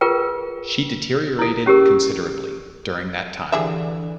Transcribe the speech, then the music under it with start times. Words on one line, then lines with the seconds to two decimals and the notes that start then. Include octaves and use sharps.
She deteriorated considerably during that time.
0.01 F4 G#4 A#4 B4 G5
1.39 E4 A4
1.66 C#4 G4 G#4 A#4
3.52 D3 E3 G4 G#4 E5